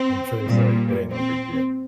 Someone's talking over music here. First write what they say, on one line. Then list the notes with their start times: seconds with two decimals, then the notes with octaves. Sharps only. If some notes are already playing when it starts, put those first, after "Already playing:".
I'm sure he's like, "It ain't no big deal."
Already playing: C4
0.47 A#2 G3
1.11 C4